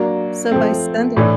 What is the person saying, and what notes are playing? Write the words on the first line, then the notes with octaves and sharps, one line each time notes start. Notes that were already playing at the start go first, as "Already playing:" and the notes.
So, by Sunday
Already playing: F#3 A#3 D4
F3 A3 C4
A2 E3 A3 D4